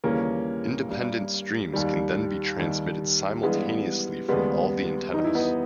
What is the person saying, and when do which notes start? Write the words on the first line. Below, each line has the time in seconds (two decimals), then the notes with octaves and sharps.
Independent streams can then be transmitted simultaneously from all the antennas.
0.04 D#2 C#3 E3 G3 A#3 C#4
0.88 G2 G3
1.73 D#2 D#3 G3
2.58 D#2 D#3 G3
3.43 G2 E3 G3 G#3 B3
4.28 D#2 C#3 G3 G#3 B3
5.14 E2 D#3 G3 D#4
5.24 E4
5.35 B3 D#4